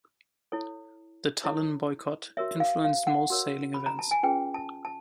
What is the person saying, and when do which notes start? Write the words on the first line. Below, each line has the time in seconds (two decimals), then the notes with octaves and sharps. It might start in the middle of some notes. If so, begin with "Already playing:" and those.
The Tallinn boycott influenced most sailing events.
0.52 E4 A4 C#5
1.44 E4 A4 C#5
2.37 F#4 A#4 C#5 E5
2.60 F5
2.84 F5
3.07 F#5
3.30 F#4 A#4 C#5
3.74 B5
3.86 A#5
3.99 A5
4.11 G#5
4.23 C#4 F4 G#4 B4 G5
4.54 A5
4.85 A5